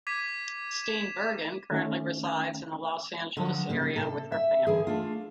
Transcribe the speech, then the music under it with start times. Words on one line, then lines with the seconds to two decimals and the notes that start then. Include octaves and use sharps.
Steenburgen currently resides in the Los Angeles area with her family.
0.07 D6 G#6 B6 D#7
0.84 E7
1.71 D#3 A3 C#4
3.37 D3 F3 F#3
3.69 C#3 A#3 G4
3.96 C3 A4
4.32 E5
4.67 D3 E3 G#4
4.87 A3 D4 F4